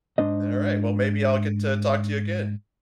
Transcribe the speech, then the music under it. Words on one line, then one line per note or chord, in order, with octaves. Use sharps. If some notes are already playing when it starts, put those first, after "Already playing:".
Alright, well, maybe I'll get to talk to you again.
G#2 D4 C5 D#5